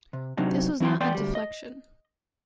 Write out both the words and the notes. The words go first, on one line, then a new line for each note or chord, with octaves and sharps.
This was not a deflection.
C3
C3 F#3 C4 D4 D#4
E3 F#3 E4 G5 C6
E2 B3 D5 G5 C6
D2 G3
D#5